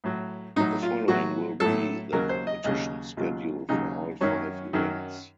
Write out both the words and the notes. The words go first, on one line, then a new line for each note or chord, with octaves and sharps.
The following will be the competition schedule for all five events.
A2 F#3
A2 F#3 D#4
F4
A2 F#3 F#4
A2 F#3 A4
D#2 C#3 F#3 A#4
C5
D#5
D#2 C#3 F#3 D#5
D#2 C#3 F#3 F4
D#2 C#3 F#3 D#4
F#2 D#3 F#3 C#4
F#2 D#3 F#3